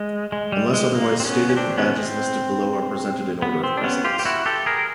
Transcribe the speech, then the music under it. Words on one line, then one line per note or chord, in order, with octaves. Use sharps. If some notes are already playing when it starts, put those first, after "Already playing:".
Unless otherwise stated, the badges listed below are presented in order of precedence.
Already playing: G#3
G#3
G3
G#3
A#3
C4
B3 C#4
C#4
C4 D4
B3 C#4
C4
B3
C4
D4
B3 C#4
F4 G4
G4
E4 F#4
G4 A4
G#4 A#4